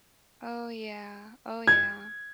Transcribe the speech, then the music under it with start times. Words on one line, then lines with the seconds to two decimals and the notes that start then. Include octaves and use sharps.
Oh, yeah oh, yeah.
1.67 G#6